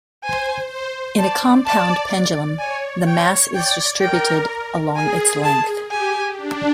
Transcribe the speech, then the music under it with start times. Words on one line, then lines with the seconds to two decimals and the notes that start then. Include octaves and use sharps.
In a compound pendulum, the mass is distributed along its length.
0.23 C5 G#5
0.71 C5
1.18 D5 A5
1.65 D5 A5
2.59 C#5 G#5
3.07 C#5 G5
3.54 D5 G5
4.01 A#4 G5
4.96 G#4 G#5
5.44 A5
5.91 G4 G#5
6.38 D4